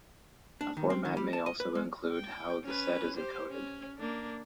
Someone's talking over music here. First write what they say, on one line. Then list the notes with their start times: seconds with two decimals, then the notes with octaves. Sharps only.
A format may also include how the set is encoded.
0.61 D4
0.77 D#3
0.90 C4
1.05 D#3
1.17 G3
1.33 A5
1.46 D#5
1.60 B4
1.75 G#3
2.12 G5
2.64 C#4 B4
3.16 G4 C5
3.50 C#4
3.98 A#3 D4